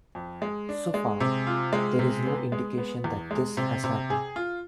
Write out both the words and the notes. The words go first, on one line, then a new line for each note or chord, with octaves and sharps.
So far, there is no indication that this has happened.
F2
G#3
D4
G#3
C3
F4
G#3
C3
B3
G#3
B3
E2
G#3
C3
C3
G#4
F4